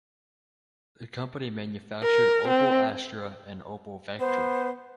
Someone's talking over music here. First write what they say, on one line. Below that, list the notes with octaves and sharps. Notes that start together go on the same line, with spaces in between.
The company manufactured Opel Astra and Opel Vectra.
A#4
C4
B3 C5